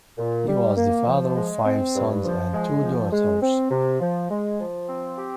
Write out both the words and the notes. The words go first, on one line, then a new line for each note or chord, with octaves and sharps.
He was the father of five sons and two daughters.
A#2
G3
A#3
F3
G#3
C4
G2
F3
G#3
F3
G#3
C4
C3
F3
G#3
F3
C4
G4